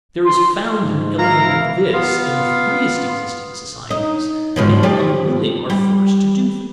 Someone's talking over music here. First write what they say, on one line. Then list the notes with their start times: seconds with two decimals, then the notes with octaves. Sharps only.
There is found an element of this in the freest existing societies; men unwilling are forced to do things.
0.24 C6
0.82 G#2
1.19 E3 E4 A#4 F5 A#5
1.93 B3 F4 F5
3.91 D#4
4.56 G#2 B2 F3
4.83 F3 G4 D5
5.70 G3